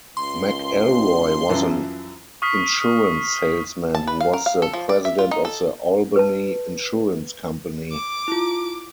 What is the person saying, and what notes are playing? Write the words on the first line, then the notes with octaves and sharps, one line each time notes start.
McElroy was an insurance salesman who was the president of the Albany Insurance Company.
C#2 C6
F#2 E3 F3
C#6 D#6 F6 B6 C7
A5
B4
F5
A#4
F5
A4
F3
D5
E5
F4
D#4
A4
B4 A5
D6
E4 F4